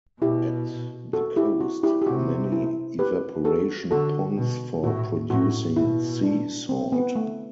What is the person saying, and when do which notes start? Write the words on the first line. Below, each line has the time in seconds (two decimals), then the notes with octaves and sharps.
At the coast are many evaporation ponds for producing sea salt.
0.21 B2 E4 G4
1.13 F#4 A4
1.36 E4 G4
1.60 F#4
1.83 E4 G4
2.02 G4
2.07 C3 F#4
2.52 E4
2.99 G4 B4
3.45 F#4 A4
3.91 D3 F#4 A4
4.37 B2
4.84 A2 F#4
5.30 A2 F#4
5.76 B2 E4
6.23 D4
6.69 C4
6.92 B3
7.16 A3